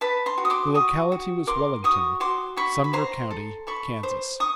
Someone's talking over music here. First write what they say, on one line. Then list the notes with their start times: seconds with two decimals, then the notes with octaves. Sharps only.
The locality was Wellington, Sumner County, Kansas.
0.01 B4 A5 B5
0.26 A#5 C6
0.38 F#4
0.45 D#6
0.50 C6 D6
0.75 F#4 C#6 D#6
1.12 F#4
1.47 A#4 C6 D6
1.84 F#4 C#6 D#6
2.20 F#4 C6 D6
2.56 F#4 B5 C#6
2.84 B5
2.93 C5 A#5 C6
3.31 A4
3.67 A4 B5 C#6
4.03 C5
4.40 C#6 D#6